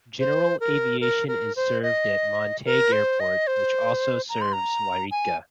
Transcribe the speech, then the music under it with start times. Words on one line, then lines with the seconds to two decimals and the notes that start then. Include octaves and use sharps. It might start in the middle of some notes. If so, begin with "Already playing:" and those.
General aviation is served at Montague Airport, which also serves Yreka.
0.19 C5
0.60 A#4
1.01 A#4
1.28 A#4
1.56 C5
1.82 D#5
2.65 A#4
2.92 C5
3.20 D#5
3.47 C5
4.29 A#5
4.41 C6
4.53 A#5
5.11 G#5